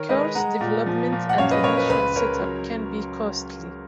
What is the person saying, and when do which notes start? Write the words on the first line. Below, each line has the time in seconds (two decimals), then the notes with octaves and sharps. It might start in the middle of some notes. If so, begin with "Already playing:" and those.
Course development and initial setup can be costly.
Already playing: D#3 A#4 C#5
0.09 G#3 B4 D#5
0.35 G#3 F#5 A#5
0.61 A#2
0.86 F3
1.12 A#2
1.29 F#5
1.38 F#2 C#5 F5
1.51 B4 D#5
1.64 F#2 A#4 C#5
1.77 B4
1.90 C#2 B4
2.16 C#2 A#4 C#5
2.41 F#3